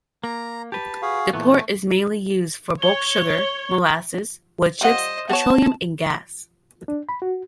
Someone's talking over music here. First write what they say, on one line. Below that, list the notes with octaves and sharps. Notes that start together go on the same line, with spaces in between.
The port is mainly used for bulk sugar, molasses, woodchips, petroleum and gas.
A#3 A#5
G4 B4 A5
F#4 G#4 F5
A#2 E3 A3 B3
C#5 G7
G3 F4 C5 D#5 F#5
B3 F#4 C#5 A5
D4
B5
F#4